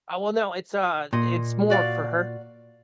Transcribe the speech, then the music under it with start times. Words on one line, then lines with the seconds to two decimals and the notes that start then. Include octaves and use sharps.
Uh, well, no, it's, uh, it's more for her,
1.13 A#2 D#5
1.70 F#4 D5 F5